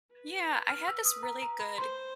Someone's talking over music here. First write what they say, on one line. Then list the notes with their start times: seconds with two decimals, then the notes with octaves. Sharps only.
Yeah, I had this really good
0.14 B4
0.69 F6
0.88 E6
1.05 D#6
1.23 A#5
1.42 A#5
1.60 B5
1.78 C5 C6